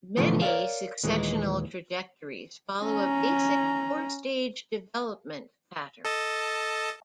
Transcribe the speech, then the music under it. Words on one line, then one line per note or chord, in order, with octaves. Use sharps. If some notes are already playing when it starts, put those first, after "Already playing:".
Many successional trajectories follow a basic four-stage development pattern.
A#2 D3 E3 F3 A3 B3
A#4 C#5 D5 F5
D#2 A#2 E3 G#3
C#4 A#5
A4 D#5 A5